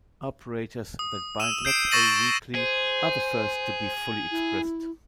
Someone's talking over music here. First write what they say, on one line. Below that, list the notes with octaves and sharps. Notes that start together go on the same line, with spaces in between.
Operators that bind LexA weakly are the first to be fully expressed.
D#6
E6 D#7 E7
G6 C7 D7 E7
C#6 E6 A6 A#6 D#7 F#7
G#4 C5
E4